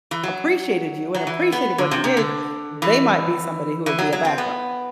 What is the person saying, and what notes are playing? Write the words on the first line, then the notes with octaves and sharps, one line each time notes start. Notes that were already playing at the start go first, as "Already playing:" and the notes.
appreciated you and appreciated what you did, they might be somebody who would be a backup.
E3
F#3
F#3
E3
B3
D3
C3
C3
D3
E3
E3
F#3
F#3
C4
B3